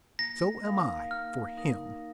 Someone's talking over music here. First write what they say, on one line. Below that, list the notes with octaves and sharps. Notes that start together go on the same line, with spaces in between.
So am I--for him.
A#3 A#6
D#4 A#4 F5
A#3 F6
D#4 A#4 F5